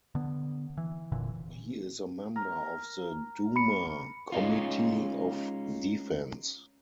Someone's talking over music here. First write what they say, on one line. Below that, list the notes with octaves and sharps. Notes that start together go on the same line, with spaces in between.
He is a member of the Duma committee of defense.
D3 B3
E3
F1 A#2 D3 E3
A#4
B5 C#7
G#3 C#4 D#4 F4